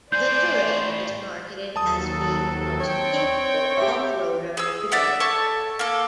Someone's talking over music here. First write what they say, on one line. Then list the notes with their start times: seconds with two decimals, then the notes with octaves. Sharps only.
The Touareg was marketed as being the most capable off-roader to date.
0.12 A2 C5 D5 G#5 G6
1.76 D#2 F#3 A4 A5 D#6
2.80 C4 C#5 G5
3.78 G4 E5
4.57 G#4 E6
4.92 D5 E5 F#5
5.20 A4 C#5 A5 C#6
5.79 A#3 A4